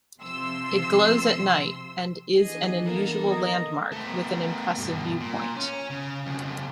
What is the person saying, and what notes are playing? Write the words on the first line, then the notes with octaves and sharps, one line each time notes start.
It glows at night and is an unusual landmark, with an impressive viewpoint.
C3 F3 C6 E6
E3 B3 D4 G#4 D#5
A#3 A4
D#5 A#5
A3 B3
G2 B2
A#2
C#4
C#3
F2 C#3